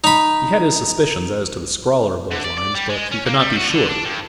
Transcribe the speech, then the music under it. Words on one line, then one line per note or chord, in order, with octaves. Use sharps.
He had his suspicions as to the scrawler of those lines, but he could not be sure.
D#4 B5
D3
D5
D5
G3
G#3
C#4
A#3
G3
F#4
D3
D4
G2